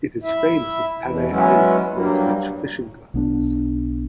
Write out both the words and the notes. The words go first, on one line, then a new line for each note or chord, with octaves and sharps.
It is famous in Panay island for its rich fishing grounds.
E4 E5
E2 B2 E3
E3 F#3 G#3 B3 C#4 E4
G2 F#3 G3 A#3
B1 B3 D4